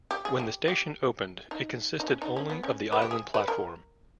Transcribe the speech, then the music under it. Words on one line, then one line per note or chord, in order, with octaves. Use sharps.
When the station opened, it consisted only of the island platform.
G4
G#4
G4
G4
D#4
D#4
C#4
D#4
C#4
B3
C#4
B4
G4
G#4
B4
A#4